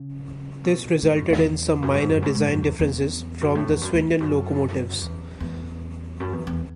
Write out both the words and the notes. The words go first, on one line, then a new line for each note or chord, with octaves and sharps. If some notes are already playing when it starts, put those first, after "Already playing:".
This resulted in some minor design differences from the Swindon locomotives.
Already playing: C#3
B2
G#2
F#2
E2
F#2
G#2
F#2
G#2
G#2
F#2
E2
E2
F#2
A2
E2
F#2
E2
E2
F#2
E2
E2
F#2
E2
E2